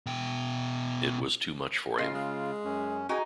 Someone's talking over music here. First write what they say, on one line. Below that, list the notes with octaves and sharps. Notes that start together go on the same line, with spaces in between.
It was too much for him.
B2 G5
C#3 F4 D#5 C6
G#3
F#2 C#4
D#4 F#4 G#4 G5 G#5